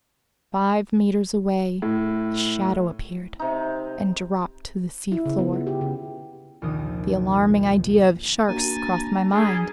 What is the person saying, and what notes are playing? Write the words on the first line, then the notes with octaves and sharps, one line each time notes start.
Five meters away a shadow appeared and dropped to the seafloor. The alarming idea of sharks crossed my mind.
A2
C3 D#4
E4
C#3
B3
F4
G4
C#3
A#1 D#2 C3 D#3 D#6
A#3 D4 F#4 G#5 A#5 A6
G3 G#4